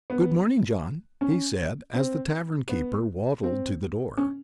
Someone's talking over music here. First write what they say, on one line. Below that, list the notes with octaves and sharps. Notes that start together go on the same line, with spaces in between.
"Good-morning, John," he said, as the tavern-keeper waddled to the door.
B3
C#4
C4
B3
C4
C#4